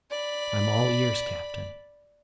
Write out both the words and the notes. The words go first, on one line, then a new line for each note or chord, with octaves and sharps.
"I'm all ears, captain."
D5 B5